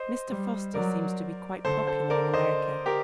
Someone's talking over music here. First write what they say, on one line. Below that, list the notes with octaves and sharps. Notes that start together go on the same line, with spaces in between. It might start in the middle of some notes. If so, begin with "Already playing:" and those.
Mr. Foster seems to be quite popular in America.
Already playing: C5 D#5
G3
F#3 A#4 D5
D3 A4 C5
A4 C5
A#4 D5
C5 D#5
G4 A#4